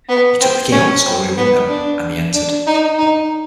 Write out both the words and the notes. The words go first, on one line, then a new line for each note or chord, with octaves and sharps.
He took the key out of the scullery window, and they entered.
B3
C4
C#4
C4
B3
D4
D4
D#4
D#4